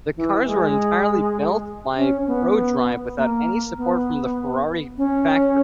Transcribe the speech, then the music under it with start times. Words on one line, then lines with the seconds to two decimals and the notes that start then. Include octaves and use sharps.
The cars were entirely built by Prodrive without any support from the Ferrari factory.
0.16 E3
0.46 G#3
1.96 C#4
2.27 B3
3.17 A#3
3.77 B3
4.97 C#4